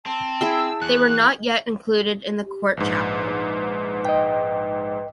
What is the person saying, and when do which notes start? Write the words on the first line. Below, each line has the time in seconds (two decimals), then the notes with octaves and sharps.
They were not yet included in the court chapel.
0.06 C4 A5
0.41 E4 G#4 G5 E6
0.82 E2 F#6
2.44 G4
2.77 A#1 G#2 B4
4.05 D#5 G5